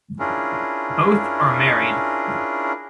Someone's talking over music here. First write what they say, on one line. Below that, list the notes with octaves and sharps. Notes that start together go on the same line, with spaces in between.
Both are married.
C#4 D4 E4 F4 G#4 A#4